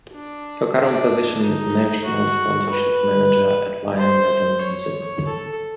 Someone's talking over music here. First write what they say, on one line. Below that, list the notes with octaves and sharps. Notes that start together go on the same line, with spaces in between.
Her current position is National Sponsorship Manager at Lion Nathan New Zealand.
D4
D4
D#4
F#4
B4
C5
C#5
A4